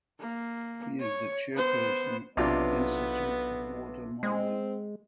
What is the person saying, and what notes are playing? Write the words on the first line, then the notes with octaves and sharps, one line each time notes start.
He is the chairperson of Institute of Water Modelling.
A#3
C#5
B3 C5
B1 C3 B3 D4 F4
G#3 C4